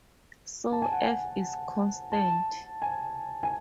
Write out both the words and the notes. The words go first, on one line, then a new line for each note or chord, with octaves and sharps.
So, "f" is constant.
A5
G#5
F#5
G#5
A5
G#5
G#5